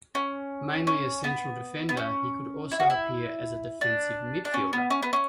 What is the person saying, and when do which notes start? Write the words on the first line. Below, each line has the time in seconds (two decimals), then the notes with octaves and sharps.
Mainly a central defender, he could also appear as a defensive midfielder.
0.15 C#4
0.87 C#4
1.24 B3
1.89 B3
1.97 C#4
2.72 E4
2.80 F#4
2.90 E4
3.81 D4
4.45 D4
4.54 C#4
4.73 B3
4.90 C#4
5.03 B3
5.13 C#4